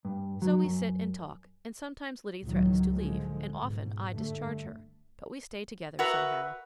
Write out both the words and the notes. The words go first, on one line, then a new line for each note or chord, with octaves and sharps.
So we sit and talk, and sometimes Liddy threatens to leave, and often I discharge her, but we stay together somehow.
G2
F#3
F#2
C#2 A2 D#3 F#3
D3 F3 G#3
G#2 B2
G2 D3 A3
F#4 A#4 B4 E5